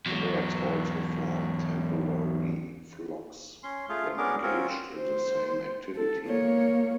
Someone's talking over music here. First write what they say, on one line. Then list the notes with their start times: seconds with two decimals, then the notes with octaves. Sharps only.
The birds also form temporary flocks when engaged in the same activity.
0.06 E2 F#3
3.63 C#4 C6
3.89 A3 F4 G#4 F5
4.18 B3 C#4 D4 G#4 A#4 D6
4.43 C4 C#4 F4 F#4 A#4
4.95 C5
5.95 A4
6.26 A#3 C#5